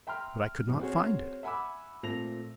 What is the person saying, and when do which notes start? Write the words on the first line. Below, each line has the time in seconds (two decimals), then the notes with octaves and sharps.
But I could not find it.
0.07 E5 G5 A#5 C6 F6
0.67 F#1 B2
0.79 C4 C#4 F#4 G#4 C5 C#5
1.43 E5 F#5 G#5 B5 D6 E6
2.03 A#2 A3 C4 A4 A#6 F7